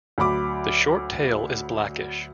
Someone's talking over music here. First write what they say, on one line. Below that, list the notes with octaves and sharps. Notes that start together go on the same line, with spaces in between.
The short tail is blackish.
D2 F#3 B5 D6